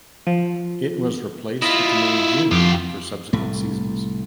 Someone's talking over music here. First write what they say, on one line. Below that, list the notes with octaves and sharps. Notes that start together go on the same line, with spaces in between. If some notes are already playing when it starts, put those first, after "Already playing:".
It was replaced with the name "June" for subsequent seasons.
F3
E4 F4 D#5 B5
F2 F4 G4
C2 A2 A3